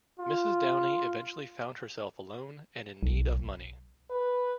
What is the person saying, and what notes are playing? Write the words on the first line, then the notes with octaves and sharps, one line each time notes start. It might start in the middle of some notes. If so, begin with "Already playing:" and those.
Mrs Downing eventually found herself alone and in need of money.
F4
B1
B4